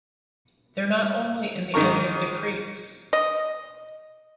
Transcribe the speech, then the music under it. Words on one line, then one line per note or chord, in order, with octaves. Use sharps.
They're not only in the end of the creeks.
G#2 D#3 D#4 A#4 C#6
D#5